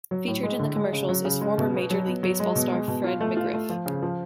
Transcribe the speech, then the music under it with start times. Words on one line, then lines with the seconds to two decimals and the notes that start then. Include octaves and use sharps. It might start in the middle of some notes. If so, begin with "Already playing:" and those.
Featured in the commercials is former Major League Baseball star Fred McGriff.
0.11 F#3
0.27 A2
0.43 G#3
0.59 D3
0.76 G#3
0.93 C#3
1.08 F#3
1.25 C#3
1.41 G#3
1.58 B2
1.74 B3
1.90 F#3
2.07 B3
2.23 F#3
2.40 G#3
2.56 B2
2.72 G#3
2.88 B2
3.04 F4
3.20 A3
3.37 F4
3.53 A3
3.69 F3
3.86 C#3
4.02 F3